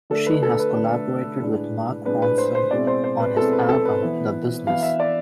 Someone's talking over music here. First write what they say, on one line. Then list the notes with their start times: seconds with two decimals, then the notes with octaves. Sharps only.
She has collaborated with Mark Ronson on his album, "The Business".
0.10 D3 A3 D4 A4
0.26 B4
0.42 A4
0.59 B4
0.76 D3 A3 D4
1.40 A2 G#3 D4
2.05 A2 G#3 D4 B4
2.22 B4
2.38 C5
2.55 C5
2.71 B2 G#3 C4 E4 D5
2.87 C5
3.04 C5
3.20 B4
3.36 B2 G#3 C4 E4 A4
3.53 B4
3.69 A4
3.85 B4
4.01 E3 B3 E4
4.67 E3 B3 E4 F5
4.83 E5
5.00 D5